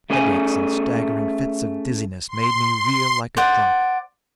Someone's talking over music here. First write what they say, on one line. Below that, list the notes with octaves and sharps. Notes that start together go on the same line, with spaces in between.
Headaches and staggering fits of dizziness made me reel like a drunk.
A3 C#4 G#4 A4 G#5
C6
C6
C5 D5 F#5